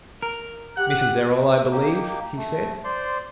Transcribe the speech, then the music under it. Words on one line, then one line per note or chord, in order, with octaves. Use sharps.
"Mrs. Errol, I believe?" he said.
A#4
G4 F#5 F#6
A#3 D#4 G4
A3
C5 D5 C6